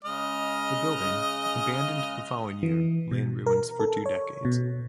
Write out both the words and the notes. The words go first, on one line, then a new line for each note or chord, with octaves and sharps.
The building, abandoned the following year, lay in ruins for two decades.
C#3 G#3 D#5 F6
E3
B2
A#4
A4
C#5
B2